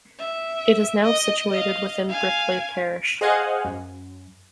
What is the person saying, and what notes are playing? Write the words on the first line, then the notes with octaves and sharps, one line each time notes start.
It is now situated within Bickleigh parish.
E5
D#5
D#5 F5
F5 G#5
G#4 C5 D#5 F5 F#5 G#5
F#2